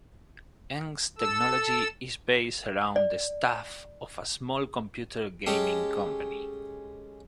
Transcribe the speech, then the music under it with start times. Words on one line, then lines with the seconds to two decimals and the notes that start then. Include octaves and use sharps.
Angst Technology is based around the staff of a small computer gaming company.
1.18 A4 E6
2.96 D5
5.46 G#3 C#4 G4 A4